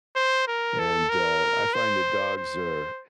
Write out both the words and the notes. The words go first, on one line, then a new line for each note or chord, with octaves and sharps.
and, uh, I find that dogs are
C5
A#4
A4
A#4
C5
C5